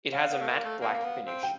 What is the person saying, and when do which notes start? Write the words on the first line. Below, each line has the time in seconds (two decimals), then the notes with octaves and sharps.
It has a matte black finish.
0.12 C#4 F5
0.30 B3
0.41 A3
0.47 A#3
0.64 A3
0.81 A#3 F5
0.88 B3
0.94 A#3
1.04 B3
1.26 C4
1.43 G5